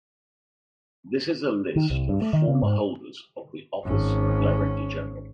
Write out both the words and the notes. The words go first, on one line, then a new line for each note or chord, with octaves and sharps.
This is a list of former holders of the office of director-general.
D#3
C2
G2
A3
D#3
C#3
G#2
G#1 C#4